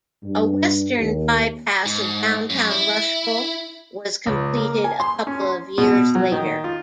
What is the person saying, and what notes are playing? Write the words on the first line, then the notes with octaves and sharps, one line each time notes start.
A western by-pass of downtown Rushville was completed a couple of years later.
G2
D#2
G#2
F#2
E4
C#2
A#3
G#5
C6
C#4
C6
B2
F#3
D#3
F4